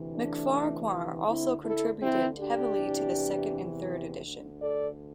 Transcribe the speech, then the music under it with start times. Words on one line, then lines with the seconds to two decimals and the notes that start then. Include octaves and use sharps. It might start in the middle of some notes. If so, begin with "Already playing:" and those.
Macfarquhar also contributed heavily to the second and third edition.
Already playing: D2 C3 E3
0.14 A3 D4
1.26 D2 D3 C4 E4
1.63 E4 A4
2.00 C4 E4
2.37 D4 G4
2.74 E2 C3 E3
4.23 D2 D3
4.61 A4 D5